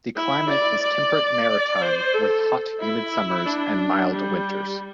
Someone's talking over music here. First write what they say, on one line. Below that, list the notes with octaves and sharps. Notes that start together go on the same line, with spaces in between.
The climate is temperate maritime, with hot humid summers and mild winters.
E4
D5
D5
C5
A4
E4
D4
G3